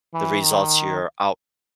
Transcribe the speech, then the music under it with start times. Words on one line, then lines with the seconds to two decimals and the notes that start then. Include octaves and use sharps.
the results you're out
0.14 E3
0.43 D#3